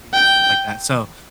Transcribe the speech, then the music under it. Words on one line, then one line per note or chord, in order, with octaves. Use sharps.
streets, and stuff like that. So,
G5